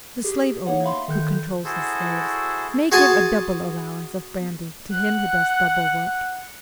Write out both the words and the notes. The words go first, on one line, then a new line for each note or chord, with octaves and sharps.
The slave-owner, who controls his slaves, may give a double allowance of brandy to him who does double work.
G4 G#4
A#3 D#4 C#5 F#5
E5 F5 B5 C6
D#3 A4 F#6 G6
E4 F#4 G#4 A4 C5
F#4 G#4 G#5 A5 C6
F#5 F#6